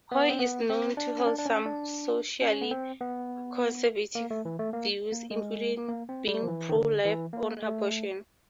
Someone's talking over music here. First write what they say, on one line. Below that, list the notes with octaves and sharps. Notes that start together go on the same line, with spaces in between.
Hoy is known to hold some socially conservative views, including being pro-life on abortion.
B3
C4
B3
C4
D4
C#4
D4
D4
C#4
D4
C#4
B3
C4
B3
A#3
A3
E3
A3
A#3
A#3
G#3
A#3
C4
G3
F3
E3
D#3
D3
E3
A#3
A3